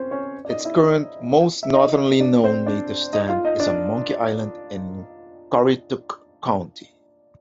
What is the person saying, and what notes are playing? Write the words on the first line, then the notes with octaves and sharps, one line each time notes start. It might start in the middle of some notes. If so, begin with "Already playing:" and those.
Its current most northerly known native stand is on Monkey Island in Currituck County.
Already playing: C4 C#4 C5
C#4 C#5
D5
D#4 D#5
E4 E5
E5
D#4 D#5
D4 D5
C4 C5
D4 D5
D#4 D#5
F4 F5
D#4 D#5
D4 D5